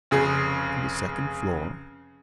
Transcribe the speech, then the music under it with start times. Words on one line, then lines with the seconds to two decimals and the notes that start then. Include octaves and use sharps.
"On the second floor?"
0.11 F1 C#3 G#4